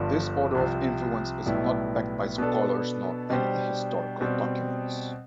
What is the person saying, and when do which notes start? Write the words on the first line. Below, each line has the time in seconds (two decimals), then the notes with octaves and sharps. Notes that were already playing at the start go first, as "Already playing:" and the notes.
This order of influence is not backed by scholars, nor any historical documents.
Already playing: G1 G2 D3 F3
0.55 C2 C3 F3
1.46 B1 A2 G3 B3 E4
2.38 B2 B3 D4 A4
3.30 B2 G3 D4 G4 C5
4.21 B2 G3 C4